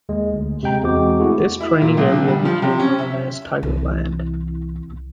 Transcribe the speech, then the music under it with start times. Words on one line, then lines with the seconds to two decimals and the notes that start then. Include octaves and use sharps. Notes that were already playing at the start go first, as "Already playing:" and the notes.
This training area became known as Tigerland.
0.09 D#2 G#3
0.33 D2
0.63 C3 G#3 G5 A#5
0.83 E2 G#3 C4 F#4 D6
1.20 A3 E4 F#4 G#4
1.61 E4
1.82 A#2
1.97 B1
2.12 D3
2.28 G3
2.45 F3
2.62 C3
2.79 C#4
2.98 E5
3.63 C2 E3